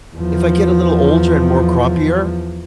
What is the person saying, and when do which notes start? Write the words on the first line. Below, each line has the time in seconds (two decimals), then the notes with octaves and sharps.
if I get a little older and more grumpier
0.16 E2 F3